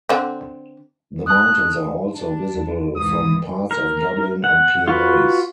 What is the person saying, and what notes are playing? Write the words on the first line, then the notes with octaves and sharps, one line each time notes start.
The mountains are also visible from parts of Dublin on clear days.
D3 C4
A5 D#6 F#6
D4 A5
E2
C2 G#2 E3 D#6
A#4
F#5
F4 F#4 B4